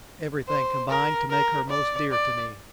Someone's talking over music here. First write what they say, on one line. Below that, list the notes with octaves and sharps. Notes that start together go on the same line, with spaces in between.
Everything combined to make her most dear to me.
C5
A#4
A#4
D5
D5